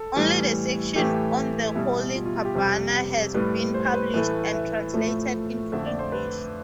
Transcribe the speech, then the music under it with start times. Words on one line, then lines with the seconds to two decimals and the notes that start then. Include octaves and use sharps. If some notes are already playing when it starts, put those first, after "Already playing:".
Only the section on the Holy Qurbana has been published and translated into English.
Already playing: A4
0.16 A2 E3 G3
0.96 A2 E3 A3 G4
1.75 B2 G3 E4
2.15 F4
2.25 F4
2.36 F4
2.45 G4
2.55 F2 C3 G3
3.34 A2 G3 B4
3.74 C5
3.84 C5
3.94 B4
4.14 A2 E3 A3 B4
4.54 E5
4.94 A2 F3 A3
5.72 F2 D3 A3 E5
5.86 D5
5.99 C5
6.12 B4